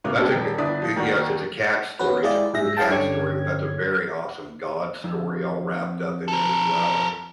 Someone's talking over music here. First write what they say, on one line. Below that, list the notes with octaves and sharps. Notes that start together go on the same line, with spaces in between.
that's a goo uh, yes, it's a cat story, it's a cool cat story, but that's a very awesome God story all wrapped up in it as well,
A2 C#3 B3 A#4 D6
B2 G#3 C#4 D4 G4 A4
D#1 G3 G5
G1 D4 E4 D5 D#6 B6
F3 D#6
D#2 D#3 F#4 A#4 D5 F#5
B3 C#4 F#4 B4
G#3 E4 F4 G4 G#4 D5
G#2 G#4 E5 A#6
E4 G#4 E5 F5 G5 A5
G2 D3 C#4 G4 G#6
F2
A4 A#4